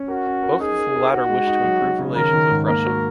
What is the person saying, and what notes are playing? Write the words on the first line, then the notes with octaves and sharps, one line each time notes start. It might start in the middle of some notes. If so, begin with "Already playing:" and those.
Both of the latter wish to improve relations with Russia.
Already playing: C#4
F#4 A#4
C#4
A#4
D#4 G#4
A#4
A#4
D#4 F#4
G#3
D#4
F#3
F#3
C#3
D#3 A#4
D#3
G#2
A#3 A#4
F#4